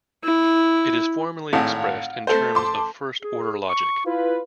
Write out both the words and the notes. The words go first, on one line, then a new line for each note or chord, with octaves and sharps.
It is formally expressed in terms of first-order logic.
E4
G#1 A2 F5 F#5
A3 A4 C5
A5 C6 D6
G#4
C#6
E4 F4 B4